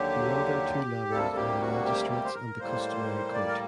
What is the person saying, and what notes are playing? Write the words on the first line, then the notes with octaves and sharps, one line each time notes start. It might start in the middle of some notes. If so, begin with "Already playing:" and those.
The other two levels are the Magistrates and the Customary Court.
Already playing: D#2 D3 F#3 G4
D2 C3 G3 A#3 A4
G4
F#4
G4
G4
C5
A#4
A2 G3 A#3 C5
D5
A#4